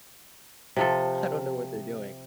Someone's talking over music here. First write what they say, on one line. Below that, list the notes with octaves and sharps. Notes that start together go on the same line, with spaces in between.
I don't know what they're doing,
C3 F3 A4